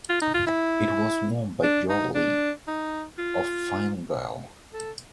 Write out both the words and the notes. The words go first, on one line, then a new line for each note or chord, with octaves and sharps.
It was won by George Lee of Fine Gael.
F4
D#4
F4
E4
D4
D#4
D4
D#4
F4
A4